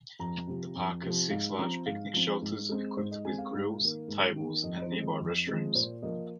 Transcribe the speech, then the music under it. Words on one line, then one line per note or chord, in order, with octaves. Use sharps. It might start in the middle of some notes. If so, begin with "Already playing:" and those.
The park has six large picnic shelters equipped with grills, tables and nearby restrooms.
F2 A#5
C3 F3
F2
C3 F3
G#2 F5
F3 C4 A#5
G#2 F5
F3 C4
G#2
G#3 C4
G#2 C5
D#5
G#3 C4 G#5
F5
G#2
D#3 A#3
G#2
D#3 A#3
F2 D#5
D#5
C5
F3 G#3 C4
D#5
F2
F3 G#3 C4
A#2 C5
F3 A#3 D#5